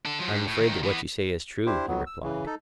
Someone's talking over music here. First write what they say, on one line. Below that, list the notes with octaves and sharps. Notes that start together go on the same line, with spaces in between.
I am afraid that what you say is true, he replied.
D4 A4
F3 F#3
G2
A2
D2 D#3
E3 B3
D4 E4 G4 C5
F2 F#3 B3
E6
C#3 E3
D#4 A4